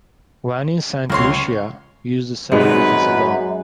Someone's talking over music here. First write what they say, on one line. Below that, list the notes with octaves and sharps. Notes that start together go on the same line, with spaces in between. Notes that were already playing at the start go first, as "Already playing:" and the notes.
When in Saint Lucia, use the seven digits alone.
C#2 A#3 C#5 C6
G#1 F#2 G#3 D#4 B4